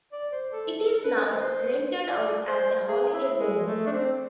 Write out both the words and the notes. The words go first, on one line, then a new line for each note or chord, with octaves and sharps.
It is now rented out as a holiday home.
D5
C5
A4
A4
B4
C5
D5
C5
G#4
E4
G#3
A3
D4
C4